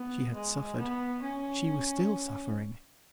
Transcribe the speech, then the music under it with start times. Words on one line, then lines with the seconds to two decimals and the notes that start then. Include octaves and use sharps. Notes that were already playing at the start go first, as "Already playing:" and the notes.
She had suffered; she was still suffering.
Already playing: B3
0.34 G#3
0.79 B3
1.22 C#4